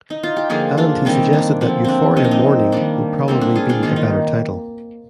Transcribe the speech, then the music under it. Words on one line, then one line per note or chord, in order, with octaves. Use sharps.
And he suggested that "Euphoria Morning" would probably be a better title.
D#4
F4
G4
D3 F3 A#3 F4 G#4
D4 F4
C3 D#3 G3 A#3 C4 D#4
D4
D3 F3 A#3 C4
C4 D4
C3 F3 A#3 D#4
D4
C4 D#4
D#3 G3 A#3 D4
D3 G3 A#3 C4
D4
F4 G#4
D4 F4
D#3 G3 A#3 F4
D#4